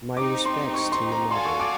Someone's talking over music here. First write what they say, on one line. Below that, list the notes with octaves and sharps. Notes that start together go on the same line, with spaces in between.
My respects to your mother.
C4 D#4 G4 D6
C6
C#6
C6
A#5
F#4 A4 D5 F5 G#5 C6
C#6
D6